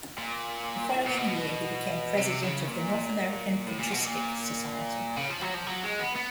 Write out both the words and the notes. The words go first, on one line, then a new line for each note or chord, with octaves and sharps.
The following year, he became president of the North American Patristic Society.
A#2
A2
A#2
B2
C3
C#3
A#2
A2
A#2
B2
A#2
C#3
F3
F#3
F3
F#3
G#3
B3
B3